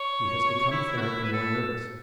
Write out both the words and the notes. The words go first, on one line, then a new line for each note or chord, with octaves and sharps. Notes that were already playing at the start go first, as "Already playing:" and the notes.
He has become thinner and more nervous.
Already playing: C#5
E4
E4
F#4
E4
B4
A4